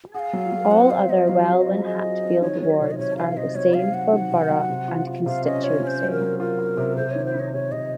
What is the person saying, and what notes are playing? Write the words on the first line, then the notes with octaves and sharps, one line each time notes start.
All other Welwyn Hatfield wards are the same for Borough and Constituency.
G#4 F5 F#5
F#3
F#3
C4 F#5
C4 F5
F#3 D#5
F#3 F5
C4
F5
D#5
F4
G#4 D#5
F4
C4
D#3 C#5
F#3 C#5
C3 C#5
D#5
C3 C#5
C3 F5
C3 D#5
F#3 C#5
F#3 F5
F#3 F#5
D#3
C3
F#3
C3
F4
F4
C3 F5
C#4 D#5
F4 C#5
C#4 C5 C#5
F#3
A#4
F#3
F4 A#4
F4
C3
C3 C5
D#3 C#5
C5
D#3 C#5
C3 C#5
C3 D#5